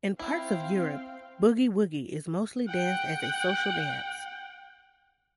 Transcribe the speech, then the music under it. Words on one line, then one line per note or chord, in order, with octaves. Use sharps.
In parts of Europe, boogie-woogie is mostly danced as a social dance.
C4 E4 F5 G5
F#5 G5